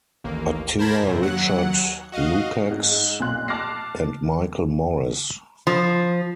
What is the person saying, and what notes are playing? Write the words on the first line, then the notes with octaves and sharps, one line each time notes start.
Attila Richard Lukacs and Michael Morris.
A1 D#2 A#3
A#4 C5 A5 B5 G#6 A#6
F#2 C3
D#2 F#3 F#5
F#4 D#5 F5
G#2
B1 A#2 C6 F#6
A5 D6 F6 F#6 A#6 C7
F3